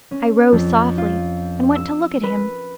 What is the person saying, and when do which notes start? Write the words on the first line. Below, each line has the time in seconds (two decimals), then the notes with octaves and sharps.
I rose softly, and went to look at him.
0.11 C#4
0.52 F2
0.98 F4
1.75 E6
2.23 B4